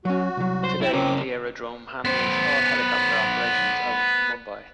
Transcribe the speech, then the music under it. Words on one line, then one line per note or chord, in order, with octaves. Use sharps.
Today, the aerodrome handles all helicopter operations out of Mumbai.
F#3 C#4 F#4
C2 F#3
C5
E4 G5
C#3 C4 C#4 A#4 D6
B3 C5